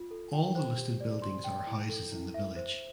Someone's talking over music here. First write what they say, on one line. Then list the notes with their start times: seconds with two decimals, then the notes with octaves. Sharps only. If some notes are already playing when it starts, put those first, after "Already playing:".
All the listed buildings are houses in the village.
Already playing: F4
0.11 A4
0.33 G5
0.55 C5
0.78 G4
1.00 D5
1.22 C6
1.44 G5
1.67 E4
1.89 A4
2.12 E4
2.34 E5
2.56 C5